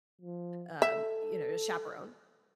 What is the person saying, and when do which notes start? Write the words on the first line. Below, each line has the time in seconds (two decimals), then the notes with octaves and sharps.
um, you know, a chaperone.
0.21 F3
0.82 A4 E5